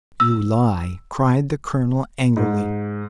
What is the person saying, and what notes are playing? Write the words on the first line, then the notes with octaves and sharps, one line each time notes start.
"You lie!" cried the colonel, angrily.
E6
G#2